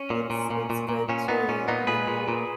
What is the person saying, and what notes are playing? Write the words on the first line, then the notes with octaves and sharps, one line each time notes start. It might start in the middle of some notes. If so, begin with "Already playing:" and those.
it's it's good to, you know,
Already playing: C#4
A#2
A#2
A#2
A#2
A#2
A#2 C#4
A#2 B3 D#4
A#2 C#4
A#2 B3 D#4
A#2 G#4 B4
A#2
A#2